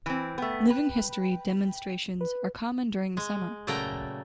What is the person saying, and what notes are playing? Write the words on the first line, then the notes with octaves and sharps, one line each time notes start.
Living history demonstrations are common during the summer.
E3 C4
A3 B3 G5
B4
B4
G#3
A#2 C#3 F#3 A3 G5 A#5